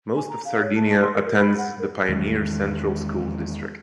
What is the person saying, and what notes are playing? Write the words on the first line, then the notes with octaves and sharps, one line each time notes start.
Most of Sardinia attends the Pioneer Central School District.
G#5
A#5
F5
C#5
A5
A5
C6
A#4
A#4
B5
F#5
A#4
E2 D#3 G#3